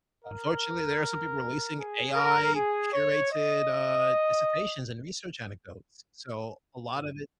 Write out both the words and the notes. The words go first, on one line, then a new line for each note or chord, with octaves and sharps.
unfortunately, there are some people releasing AI curated, uh, dissertations and research anecdotes, so, a lot of it
A#4
G#4
A#4
G#4
C#5
D#5